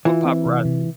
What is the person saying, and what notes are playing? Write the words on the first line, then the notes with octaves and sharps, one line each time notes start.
Or Paparazzi?
E3 F4
C4
C3
C3